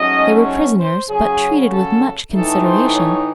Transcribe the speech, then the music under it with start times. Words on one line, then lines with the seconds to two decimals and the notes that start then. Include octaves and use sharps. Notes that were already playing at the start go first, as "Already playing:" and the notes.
They were prisoners, but treated with much consideration.
Already playing: G#2 F#3 A3 C#4 D#5
0.45 C#5
0.77 C5
1.07 C#3 F#3 C#4 G#4
1.70 A4
2.32 A2 E3 A3 D#4 A4
2.63 C5
2.94 C#5